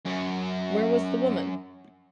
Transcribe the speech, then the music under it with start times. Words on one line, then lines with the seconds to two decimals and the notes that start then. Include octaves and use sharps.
Where was the woman?
0.06 F#2 C#4